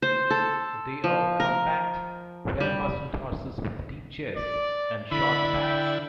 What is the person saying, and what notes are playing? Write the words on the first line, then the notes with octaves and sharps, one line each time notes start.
They are compact, well-muscled horses with deep chests and short backs.
C5
A4
F3
A#4
G3
D5
D3 E4 B5
G5